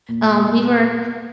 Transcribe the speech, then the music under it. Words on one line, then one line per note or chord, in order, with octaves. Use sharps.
um, we were
A#2
A#2
A#2